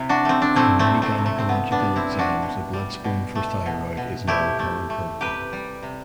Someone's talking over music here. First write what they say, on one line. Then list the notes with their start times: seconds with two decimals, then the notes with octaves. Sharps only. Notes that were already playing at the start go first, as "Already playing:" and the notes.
In many gynecological exams a blood screen for thyroid is now a common protocol.
Already playing: C3 E4
0.09 D4 F#4
0.25 A3 C4
0.42 D4
0.56 A3 C4 E4
0.79 A3 C4
0.87 C3
1.02 A3 C4
1.18 C3
1.26 A3
1.38 C4
1.49 B2 B3
1.72 B3 D4
1.80 G3
1.96 C4 E4
2.12 G3
2.19 D4 F#4
2.42 B2
2.73 G3
3.04 B2
3.35 A3
3.66 B2
3.97 B2
4.27 A3 E4 G4
4.59 A3
4.90 A3
5.21 C3 G4 B4
5.53 G3
5.83 C3